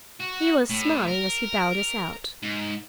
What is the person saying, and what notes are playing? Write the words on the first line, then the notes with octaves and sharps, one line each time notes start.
He was smiling as he bowed us out.
F#4
A2
A#4
G#2